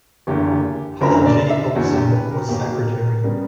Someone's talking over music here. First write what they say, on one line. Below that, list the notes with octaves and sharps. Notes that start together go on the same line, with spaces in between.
Paul G. Olsen was Secretary.
F#1 E2 D3 A#3 G4
F#1 F#2 D3 A#4
D5
E5
F#1 E2 D3 F#4
G4
B4
A#4
B1 B2 A#3 G4
A#4
A#4
C#3 G3 B3 A#4